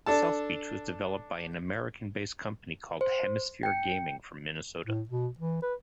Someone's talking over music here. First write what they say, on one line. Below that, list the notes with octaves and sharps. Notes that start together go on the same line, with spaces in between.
South Beach was developed by an American based company called Hemisphere Gaming from Minnesota.
D4 A4 A5
C5
G5 C#7
A2
B2
E3
B4